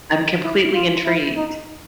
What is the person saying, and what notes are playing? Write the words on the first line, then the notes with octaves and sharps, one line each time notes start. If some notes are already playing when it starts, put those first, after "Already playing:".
I'm completely intrigued.
D#4
E4
F4
E4
D#4